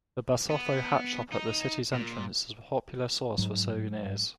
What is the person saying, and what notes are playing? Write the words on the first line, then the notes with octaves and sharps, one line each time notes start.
The Basotho Hat shop at the city's entrance is a popular source for souvenirs.
B3
D#4
A#2
G#2 F#3